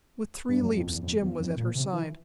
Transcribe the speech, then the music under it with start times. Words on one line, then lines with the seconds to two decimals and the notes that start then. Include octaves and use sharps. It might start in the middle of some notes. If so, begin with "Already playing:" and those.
With three leaps Jim was at her side.
0.49 G2
0.62 F#2
0.76 F2
0.89 E2
1.02 F2
1.21 E2
1.39 F2
1.57 A#2
1.75 C3
1.93 E3